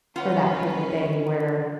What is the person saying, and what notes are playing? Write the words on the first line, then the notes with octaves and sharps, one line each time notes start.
for that kinda thing, where
C#4 F4 B4 F#5